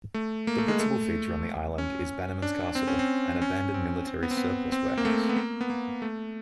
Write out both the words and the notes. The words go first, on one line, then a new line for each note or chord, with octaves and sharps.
The principal feature on the island is Bannerman's Castle, an abandoned military surplus warehouse.
A3
A#3
A3
G#3
A3
C#4
D4
C4
C#4
C4
C#4
C4
C4
B3
C4
B3
C4
A#3
A3
B3
A#3
B3
A#3
A3